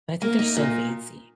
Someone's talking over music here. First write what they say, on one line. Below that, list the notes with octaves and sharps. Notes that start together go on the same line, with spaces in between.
but I think they're so fancy.
A#3
D#4
A#2